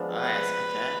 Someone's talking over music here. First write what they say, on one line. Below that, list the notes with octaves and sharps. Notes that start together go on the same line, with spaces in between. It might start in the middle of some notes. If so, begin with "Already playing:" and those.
Nice, okay.
Already playing: F3 G#3 B3 D4
B4